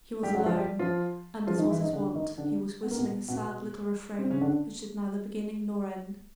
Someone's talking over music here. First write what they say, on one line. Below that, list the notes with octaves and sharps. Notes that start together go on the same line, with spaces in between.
He was alone, and, as was his wont, he was whistling a sad little refrain which had neither beginning nor end.
G3 G4
F#3 F#4
F3 F4
G3 G4
F3 F4
F3 F4
D#3 D#4
E3 E4
D#3 D#4
D3 D4
D#3 D#4
D3 D4
B3
A#3
B2 B3
B2 B3
C3 C4
C#3 C#4
D3 D4